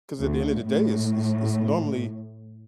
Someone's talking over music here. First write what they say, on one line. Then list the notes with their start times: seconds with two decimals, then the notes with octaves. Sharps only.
'Cause at the end of the day, it's it's it's normally
0.20 D2
0.63 A2